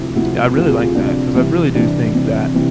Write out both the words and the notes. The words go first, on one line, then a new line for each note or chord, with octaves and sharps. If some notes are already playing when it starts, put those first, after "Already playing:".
Yeah, I really like that 'cause I really do think that
Already playing: D2 C3 F3 E4
D2 C3 F3 E4
D2 C3 F3 F4
G#4
F4
D2 C3 F3 D4
C2 C3 E3 E4
C2 C3 E3 D4
C2 C3 E3
C3 E3